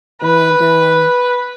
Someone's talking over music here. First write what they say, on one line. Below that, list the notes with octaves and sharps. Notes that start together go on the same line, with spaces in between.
And, um
B4